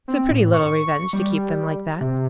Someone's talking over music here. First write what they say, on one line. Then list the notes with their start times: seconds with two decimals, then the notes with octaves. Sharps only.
It's a pretty little revenge to keep them like that.'
0.08 C4
0.30 A2
0.54 C#6
1.13 G3
2.01 C3